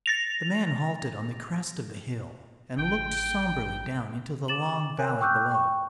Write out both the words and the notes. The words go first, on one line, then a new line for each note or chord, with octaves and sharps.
The man halted on the crest of the hill and looked sombrely down into the long valley below.
A6 A#6 F7
A1 G5
D6 A6 E7 F#7
A#4 C#5 G#5 F#6
G5 C#6 D6 E6 F#6 G6
G5 C#6